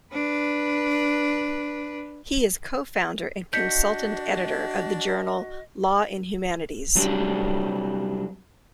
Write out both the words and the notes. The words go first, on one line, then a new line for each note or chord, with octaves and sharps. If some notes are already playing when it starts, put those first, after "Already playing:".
He is co-founder and consultant editor of the journal, "Law and Humanities".
D4 B4
D4 F#4 D#5 G6 B6 C#7
C3 F#3 G3 D4 G4